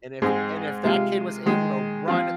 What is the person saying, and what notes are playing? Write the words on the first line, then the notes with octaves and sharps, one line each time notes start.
and if And if that kid was able to run
G#2 G#3 C4 G#4
C3 G#3 F4
D#3 G#3 D#4 G#4
F3 C4 F4